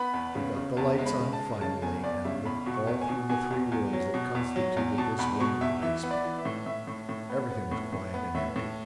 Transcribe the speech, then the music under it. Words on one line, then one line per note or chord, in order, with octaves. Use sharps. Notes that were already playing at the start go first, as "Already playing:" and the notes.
We got the lights on finally and looked all through the three rooms that constituted this wing of the basement. Everything was quiet and empty.
Already playing: B3 B5
E2
C#3
C#3
E2 A5
G#3
B5
C#3
A5
G#3
C#3 A5
E2 G#5
E2 D5
C#3 E5
E2 B5
B2
C#6
E2
G#5
B2
B2 G#5
E2
E2
F#3
B2
E2
F#3
E2
B2 A5
E2 B5
B2 C#6
E2 E5
E3 E5
B3
D5
E3
E5
A2
A2 E5
A2
A2
B3
B3
A2
A2
B3
A2 E5
A2